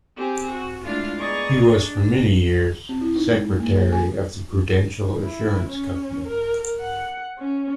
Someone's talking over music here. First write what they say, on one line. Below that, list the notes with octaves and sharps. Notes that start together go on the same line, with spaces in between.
He was for many years secretary of the Prudential Assurance Company.
C4 G4 G#4
F#4
G#3 A3 D4 E4 F4 F5
B3 G#4 D5 D#5 A#5 C#6
D4
C4
E4
D#4
G#3
A#3
G#4
G#5
E4
C#4
A#4
F#5
C#4